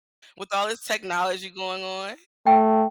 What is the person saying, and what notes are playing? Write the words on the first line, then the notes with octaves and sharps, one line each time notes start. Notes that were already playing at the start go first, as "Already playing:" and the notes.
with all this technology going on.
A3 G5